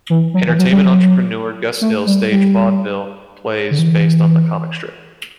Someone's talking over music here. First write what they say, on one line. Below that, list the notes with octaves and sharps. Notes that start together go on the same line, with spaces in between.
Entertainment entrepreneur Gus Hill staged vaudeville plays based on the comic strip.
E3
F#3
E3
F#3
G3
F#3
A3
G3
G3
D3
E3